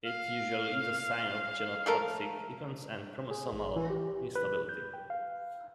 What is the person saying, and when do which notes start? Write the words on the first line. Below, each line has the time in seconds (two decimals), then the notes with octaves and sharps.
It usually is a sign of genotoxic events and chromosomal instability.
0.05 F5
1.86 F3 A3 A#4
3.31 G#4
3.52 A1
3.76 E3
3.90 G4
4.35 B4
4.69 G6
4.94 G5
5.10 F5